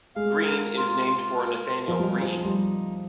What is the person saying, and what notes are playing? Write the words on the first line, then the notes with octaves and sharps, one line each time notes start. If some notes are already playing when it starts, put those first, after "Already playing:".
Greene is named for Nathanael Greene.
G#3 F5
A#4
F4
F4
A#4
F4
F3
G3 G#3
F3
D#4
G3